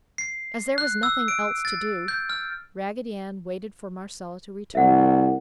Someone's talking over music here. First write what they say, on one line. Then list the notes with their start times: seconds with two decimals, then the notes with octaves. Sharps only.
As there was nothing else to do, Raggedy Ann waited for Marcella to return.
0.18 C7
0.78 F#6
1.03 E6
1.28 D7
1.65 A6
2.08 G6
2.30 F6
4.75 C2 E5 F#5